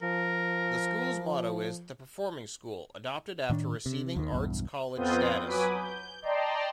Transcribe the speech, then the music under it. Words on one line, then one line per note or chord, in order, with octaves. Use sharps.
The school's motto is "The Performing School", adopted after receiving Arts College status.
F3 A#4
A2 D#3 D4
C3
D#2 D#3
B1 E2 G2
F2 B3 C4 F4 D#6 G6
F#3 B4 G#5 B5 D6 D#6
G6
D5 D#5 G5 A5 A#5 C6